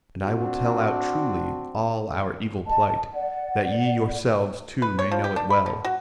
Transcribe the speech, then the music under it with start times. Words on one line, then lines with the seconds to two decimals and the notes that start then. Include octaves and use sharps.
And I will tell out truly all our evil plight, that ye yourselves too may know it well.
0.22 C4 D4 F#4
2.66 D#5 A5
3.12 D5 F#5
4.82 B4
4.99 C#5
5.12 F3
5.24 G4
5.36 D4
5.50 B5
5.66 D3
5.85 F#4